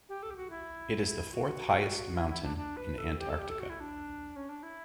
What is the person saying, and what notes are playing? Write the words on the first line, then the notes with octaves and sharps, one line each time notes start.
It is the fourth highest mountain in Antarctica.
G4
A4
G4
F#4
E4
F#4
E4
E4
D4
D4
B4
A4
G4
A4
G4
A4
F#4
E4
D4
C#4
D4
E4